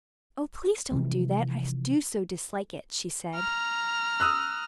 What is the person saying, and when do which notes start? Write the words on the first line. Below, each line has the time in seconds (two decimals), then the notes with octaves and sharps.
"Oh, please, don't do that, I do so dislike it," she said.
0.92 C3 E3 F3 G#3
3.35 A#5 F6
4.20 D#6 E6 F#6